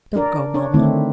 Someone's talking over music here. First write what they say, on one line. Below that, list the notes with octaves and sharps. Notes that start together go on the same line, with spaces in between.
"Don't go, mamma."
D4 A#4 D5
D4 C#5
D3 D#3 A3 C4 E4